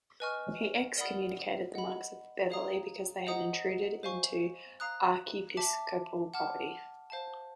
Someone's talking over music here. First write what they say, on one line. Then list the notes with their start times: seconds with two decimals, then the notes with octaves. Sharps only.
He excommunicated the monks of Beverley because they had intruded into archiepiscopal property.
0.20 B4 D#5 G#5 C#6 F6
0.97 A#4 D5 F#5 B5 D#6
1.74 D#5 F#5 B5
2.50 G#4 C#5 F5 A#5 D#6
3.27 C5 D#5 F#5 A#5 D#6
4.03 C5 F5 G#5 C#6
4.80 F5 A#5 D#6 F#6
5.57 E5 A5 D6
6.34 F#5 A5 D6 F6
7.10 C5 F5 A5